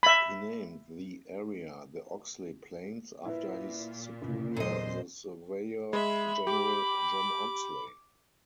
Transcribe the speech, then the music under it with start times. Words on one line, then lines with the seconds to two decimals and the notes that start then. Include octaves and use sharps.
He named the area the Oxley Plains after his superior the surveyor-general, John Oxley.
0.03 E5 B5
3.25 A#2 E4 B4
4.22 C#2 C3
4.56 E2 A#2 F#3 C5 D#5
5.93 G#3 E5 B5
6.47 G4 D6